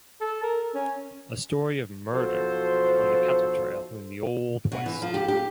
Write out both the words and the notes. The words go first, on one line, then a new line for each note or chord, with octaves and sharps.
A story of murder on the cattle trail in the old West.
A4
A#4
C#4
B1 F3 F#4 A4 C5
B2
E3
F3
G4
G4